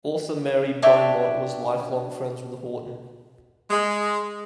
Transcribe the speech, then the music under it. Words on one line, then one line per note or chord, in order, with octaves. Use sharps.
Author Mary Beaumont was lifelong friends with Horton.
D4 C#5 E5 G5
G#3